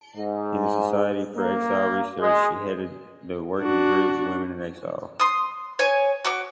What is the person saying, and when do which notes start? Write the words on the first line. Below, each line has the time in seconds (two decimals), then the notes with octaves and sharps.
In the "Society for Exile Research" she headed the working group "Women in Exile".
0.17 G#2
1.36 A#3
2.20 G#3
3.58 D4 F#4
5.20 C6 D#6
5.79 C#5 G#5
6.25 F#4 C#6 D6